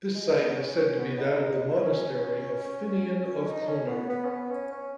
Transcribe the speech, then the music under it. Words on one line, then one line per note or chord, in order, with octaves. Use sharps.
The site is said to be that of the monastery of Finnian of Clonard.
G#3
B3
C#4
C#4
B3
D#4
D#4
C#4
D#4
C#4
B3
B3
C#4
B3
C#4
C#4